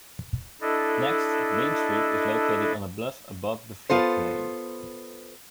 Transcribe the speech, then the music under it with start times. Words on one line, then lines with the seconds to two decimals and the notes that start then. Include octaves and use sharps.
Next, Main Street is located on a bluff above the floodplain.
0.61 D4 E4 A4 D#5
3.90 B3 F4 A4 C5